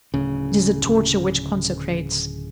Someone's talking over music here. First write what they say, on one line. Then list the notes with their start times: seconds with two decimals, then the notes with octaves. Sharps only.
It is a torture which consecrates.
0.14 D1 C#3